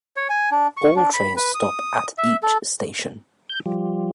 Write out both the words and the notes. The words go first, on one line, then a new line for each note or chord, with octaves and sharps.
All trains stop at each station.
C#5
G#5
D4
C#6
D4
B5
B4
D#6
E5
A4
G6
F3 G3